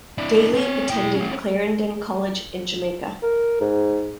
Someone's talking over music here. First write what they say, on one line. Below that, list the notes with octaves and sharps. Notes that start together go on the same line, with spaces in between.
Daley attended Clarendon College in Jamaica.
D4 E4
C4 C#5
E4 G5
A3 C#4
A#4
G#2